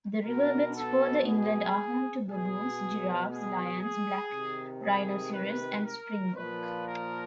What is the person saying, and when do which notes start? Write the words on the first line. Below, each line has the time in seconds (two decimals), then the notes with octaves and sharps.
The riverbeds further inland are home to baboons, giraffes, lions, black rhinoceros and springbok.
0.24 B2 A#4
0.75 A4
1.26 G#4
2.28 B2 G#4
3.31 G#4
3.80 G#4
4.32 C3 D#3
4.83 G#4
5.33 B4
5.84 A#4
6.36 A#2 F3 B4
6.87 A#4